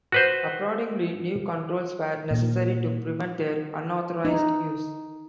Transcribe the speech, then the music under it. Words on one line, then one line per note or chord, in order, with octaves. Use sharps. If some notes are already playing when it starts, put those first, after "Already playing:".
Accordingly, new controls were necessary to prevent their unauthorized use.
F#4 B4 C5
A#2
D#4